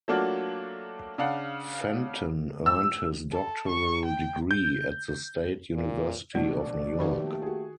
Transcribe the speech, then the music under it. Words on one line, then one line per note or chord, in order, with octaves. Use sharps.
Fenton earned his doctoral degree at the State University of New York.
F#3 A3 A#3 D4 F4 F#4
C#3 D4 F5 F#5
E6
A4
C#6
G5
G6
A#2
A#1 B2 A3 D4 D5
D#3 A3 A#3 D#4 G4 B4
F#4 G#4